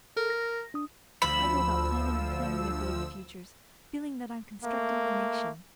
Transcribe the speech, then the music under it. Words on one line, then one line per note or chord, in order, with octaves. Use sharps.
I go about planning and planning their baby futures, feeling that I'm constructing the nation.
A4 A#4
A#6
D4 D#6
D2 F3 B5 E6
A3 A#3